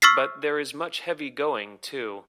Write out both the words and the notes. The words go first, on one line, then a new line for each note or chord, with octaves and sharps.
But there is much heavy going too.
C#6 E6 F6 A6 B6 C7